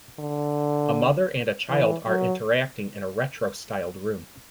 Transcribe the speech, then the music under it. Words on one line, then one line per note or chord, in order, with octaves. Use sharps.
A mother and a child are interacting in a retrostyled room.
D3
E3
F#3